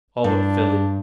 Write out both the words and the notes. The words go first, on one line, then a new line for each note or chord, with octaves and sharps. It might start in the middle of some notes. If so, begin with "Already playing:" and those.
All but Philly.
G2 D4